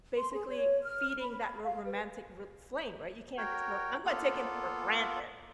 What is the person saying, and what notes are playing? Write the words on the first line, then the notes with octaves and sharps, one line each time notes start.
basically, feeding that ro romantic r flame, right? You can't just go, "I'm gonna take him for granted,"
C6
G#4
C#5
F6
B5
F5
B4
F#4 A#4 C#5 G5
A#3 B3 F4 A4